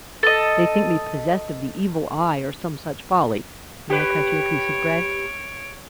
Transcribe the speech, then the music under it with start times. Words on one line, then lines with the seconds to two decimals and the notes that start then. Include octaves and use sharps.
"They think me possessed of the 'Evil Eye' or some such folly--may I cut you a piece of bread?"
0.23 A4 D#5
3.90 G4 B4 C#5 D7